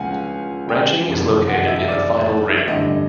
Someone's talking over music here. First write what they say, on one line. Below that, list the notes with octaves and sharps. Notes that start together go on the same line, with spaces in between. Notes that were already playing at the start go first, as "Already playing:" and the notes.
Ranching is located in the final ring.
Already playing: C#2 C#3 F3 F5 F#5 G#5
G5
F#1 F2 C3 D#3
F#5
D#5
E5
D5
E5
A1 G2 D3 D#5